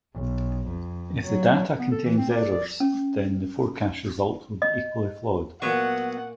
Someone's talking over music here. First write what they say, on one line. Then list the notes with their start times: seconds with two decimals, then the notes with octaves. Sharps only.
If the data contains errors, then the forecast result will be equally flawed.
0.14 B1
0.67 F2
1.25 F#3
1.79 B3
1.91 A4
2.05 E3
2.18 C4
2.30 D5
2.51 D5
2.80 C#4
4.62 D#5
5.62 A#2 F#3 B3 F#5 C#6